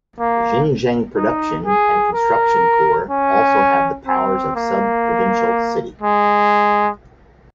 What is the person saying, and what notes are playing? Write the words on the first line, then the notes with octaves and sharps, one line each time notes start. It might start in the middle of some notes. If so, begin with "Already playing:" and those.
Xinjiang Production and Construction Corps also has the powers of a sub-provincial city.
A#3
D#4
G#4
A#4
C#4
C4
A#3
G#3